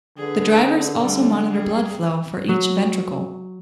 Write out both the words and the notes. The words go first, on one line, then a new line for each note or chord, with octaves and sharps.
The drivers also monitor blood flow for each ventricle.
D3 G#4 B4
G3 A3
G3 G#4
F#3